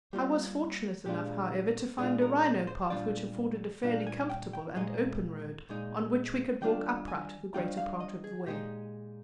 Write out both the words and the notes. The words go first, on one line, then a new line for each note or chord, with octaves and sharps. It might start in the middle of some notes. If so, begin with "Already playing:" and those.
I was fortunate enough, however, to find a rhino path which afforded a fairly comfortable and open road, on which we could walk upright the greater part of the way.
G3 A#3 F4 G4
A#2 G#3 D4 F4 G4
A#2 G#3 D4 F4 G#4
A#4
C5
C5
A#2 G3 D4 F4 D5
A#2 G3 D4 F4 F5
G#5
G5
G5
A#2 G#3 D#4 D#5
A#2 G#3 D#4
D#3 G3 D4 F4 G5
G#5
D#3 G3 D4 F4 G5
F5
D#5
G#4
A#2 G#3 D#4 G4